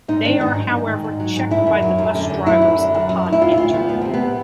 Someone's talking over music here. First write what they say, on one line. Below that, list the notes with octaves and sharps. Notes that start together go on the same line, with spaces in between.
They are however checked by the bus drivers upon entering.
G#2 D#4
D#3 D4
G#2 D#4
F#3
G#2
D#3
G#2
F#3
G#2
D3 E4
F#2
F#3
F#2
D3
F#2
F#3 E4
F#2
D3
F#2
F#3
F#2
E4
C3 F4
E4
D2 F4
F3 B3
D2 B3
C3 C4
B3